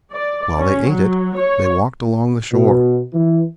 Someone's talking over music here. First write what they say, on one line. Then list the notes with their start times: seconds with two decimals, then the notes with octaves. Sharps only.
While they ate it, they walked along the shore.
0.14 D5
0.60 C#4
0.91 F#3
1.38 C#5
2.53 B2
3.14 E3